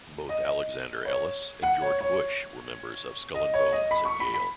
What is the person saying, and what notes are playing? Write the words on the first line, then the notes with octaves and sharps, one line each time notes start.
Both Alexander Ellis and George Bush were members of Skull and Bones at Yale.
D#5
C#5
F#5
C#5
C#5
D#5
C#5
D#5
B5
C#6
B5
B5